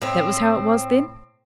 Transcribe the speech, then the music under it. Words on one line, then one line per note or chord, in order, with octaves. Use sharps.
'That was how it was, then?'
A2 C4